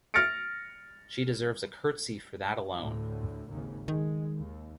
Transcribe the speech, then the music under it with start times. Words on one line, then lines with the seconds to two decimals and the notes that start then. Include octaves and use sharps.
She deserves a curtsy for that alone.
0.14 F6 A6 A#6 C#7 D7
2.77 D2 A2 D3
3.48 G#1 D#2 C#3
3.88 D#3 G#3
4.38 D#2